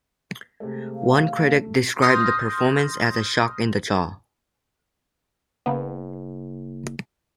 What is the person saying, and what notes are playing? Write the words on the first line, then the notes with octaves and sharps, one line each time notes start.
One critic described the performance as a sock in the jaw.
C3 G#3 A3
F5
A3
C6 D#6 F6 G6 A#6
F#1 C#3 A#3 B3